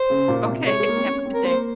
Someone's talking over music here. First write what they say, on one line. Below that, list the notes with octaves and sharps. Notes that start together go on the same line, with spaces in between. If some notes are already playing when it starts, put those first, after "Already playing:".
Okay. Have a good day.
Already playing: C5
C#3
A#2
C3
G#3 C#5
G#3
A#3
C4
C#4
C4
A#4
A#3 C5